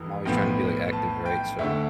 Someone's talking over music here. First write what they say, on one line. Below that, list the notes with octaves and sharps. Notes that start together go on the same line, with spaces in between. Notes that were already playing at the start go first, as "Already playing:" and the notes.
I'm always trying to be, like, active, right? So
Already playing: F1 F2 E3
B1 A2 F3 B3 G5
A5
G5
D2 D3 A3 E5